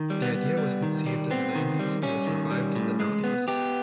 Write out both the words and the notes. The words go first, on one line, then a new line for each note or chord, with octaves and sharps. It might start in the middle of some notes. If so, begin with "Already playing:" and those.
The idea was conceived in the nineties and was revived in the naughties.
Already playing: D#3
G3
B3
B3
G3
D#3
G3
B3 C4
D#3
G3
G3 C#4
D#3
G3
A2
G#3
B3
B3 G4